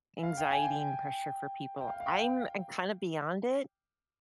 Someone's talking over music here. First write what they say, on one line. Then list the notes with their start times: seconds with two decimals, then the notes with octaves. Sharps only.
anxiety and pressure for people. I'm I'm kinda beyond it,
0.23 F5
0.37 G5
0.51 G#5
0.64 G5
1.81 G5
1.88 F5
2.00 F5
2.06 G5